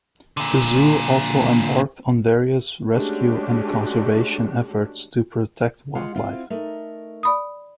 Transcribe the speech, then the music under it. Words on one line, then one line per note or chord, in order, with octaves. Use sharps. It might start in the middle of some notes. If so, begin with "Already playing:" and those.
The zoo also embarked on various rescue and conservation efforts to protect wildlife.
A#2 D3
G#3 A3 C#4 D4 F#4 G4
G#3 F4 F#5
C4 E4 F4
A3 D#4 A#4
D5 B5 D#6